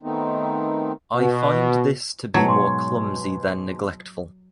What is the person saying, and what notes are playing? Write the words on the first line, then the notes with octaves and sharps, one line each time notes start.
I find this to be more clumsy than neglectful.
D#3 A3 B3 C4 D#4
B2
G#2 B2 F#3 A5 G#6
G#5 C6 C#6